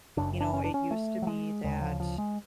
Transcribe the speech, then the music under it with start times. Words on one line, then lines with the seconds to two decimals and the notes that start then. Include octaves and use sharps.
You know, it used to be that,
0.17 F#1 F#2 C#3 D4
0.40 D4
0.53 C#4
0.64 D4
0.74 C#4
0.91 A3
1.22 F#3
1.27 G#3
1.64 D2 C#3 G#3
1.82 F3
2.00 F3
2.18 G#3